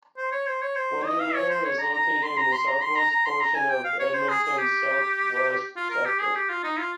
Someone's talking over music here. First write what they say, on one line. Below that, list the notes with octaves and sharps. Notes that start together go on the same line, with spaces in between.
Windermere is located in the southwest portion of Edmonton's southwest sector.
C5
C#5
C5
C#5
C5
D#5
F5
C#5
C5
C#5
A#5
A#5
C6
A#5
C6
A#5
C6
A#5
A#5
C6
A#5
G#5
G5
F5
C#5
C5
G#4
G#4
G4
F4
A#4
G4
G#4
G4
F4
D#4
F4